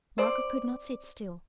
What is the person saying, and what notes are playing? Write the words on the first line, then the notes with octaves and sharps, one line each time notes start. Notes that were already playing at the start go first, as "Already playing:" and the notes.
Margaret could not sit still.
C4 C5 D5